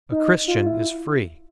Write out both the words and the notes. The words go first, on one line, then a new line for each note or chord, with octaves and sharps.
A Christian is free.
D#4
F4
E4